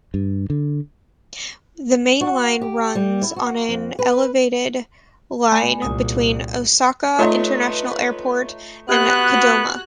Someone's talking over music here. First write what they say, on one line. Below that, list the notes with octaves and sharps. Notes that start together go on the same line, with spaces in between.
The Main Line runs on an elevated line between Osaka International Airport and Kadoma.
G2
D3
F#4
G4
G3
E4
F#4
F2
B4
A3 G#5 B5
C2 A#2 D#6
A3 D#4 F4 B4 C#5 C6
B3 F#4 G4 F#6 G#6